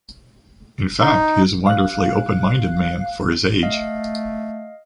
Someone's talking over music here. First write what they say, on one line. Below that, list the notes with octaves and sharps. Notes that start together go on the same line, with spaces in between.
In fact, he is a wonderfully open-minded man for his age.
D#4
F5 F#6
A3 D#5 F5